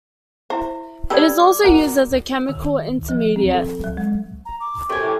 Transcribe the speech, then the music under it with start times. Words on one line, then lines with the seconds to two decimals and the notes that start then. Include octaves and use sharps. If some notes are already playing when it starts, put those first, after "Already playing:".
It is also used as a chemical intermediate.
0.50 E4 C5 E5
1.10 G4 A4 B4 D5 D#6 E6
1.40 D6
1.64 F#4 A#4
2.49 D#3
3.09 F3
3.36 C4
3.54 A4
3.84 F#3
3.97 G#3
4.45 A#5
4.60 D6
4.89 F#2 C3 A3 G5 G#5
5.02 A2 C3